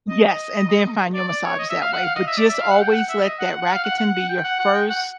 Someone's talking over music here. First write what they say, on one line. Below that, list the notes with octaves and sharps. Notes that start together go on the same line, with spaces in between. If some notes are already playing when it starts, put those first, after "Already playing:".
Yes, and then find your massage that way, but just always let that Rakuten be your first
D#5
D#5
D5
D5
C#5
D#5
E5
F5
F#5
F5
D#5
E5
D5
E5
F5
F#5
G5
F#5
E5
D#5
F#5
F#5
F#5
F5
F#5
F#5
F#5
G5
F#5
F#5
G5
F#5